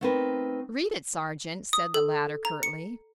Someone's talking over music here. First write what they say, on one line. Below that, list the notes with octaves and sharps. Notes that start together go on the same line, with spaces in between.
"Read it, sergeant," said the latter curtly.
A3 B3 C4 D#4 A#4 B4
D#6
A4
A#5
C#7